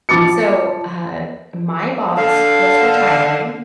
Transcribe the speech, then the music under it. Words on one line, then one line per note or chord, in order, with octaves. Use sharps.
so, uh, my boss was retiring,
F3 D6 A6 C#7
D3 F5